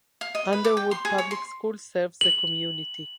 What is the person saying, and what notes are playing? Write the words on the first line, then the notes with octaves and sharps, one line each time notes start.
Underwood Public School serves the community.
F5
D#5
B4
D6
G5
C6
G#4
C#5
C6
F#7